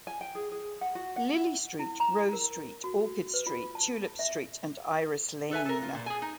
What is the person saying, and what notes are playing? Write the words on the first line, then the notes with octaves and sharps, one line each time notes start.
Lily Street, Rose Street, Orchid Street, Tulip Street, and Iris Lane.
G#5
G5
G#4
G#4
F#5
F#4
F#5
E4
E4
A#5
A#4
F#4
B4
F4
A5
E5
A4 B4 E5 G#5
A4 A#4
F4
A#2
G#4 G#5
D#4